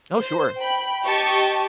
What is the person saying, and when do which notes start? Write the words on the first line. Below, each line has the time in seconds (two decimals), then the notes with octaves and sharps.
Oh, sure.
0.18 C5
0.59 G5 B5
1.04 G4 D#5 A5 C#6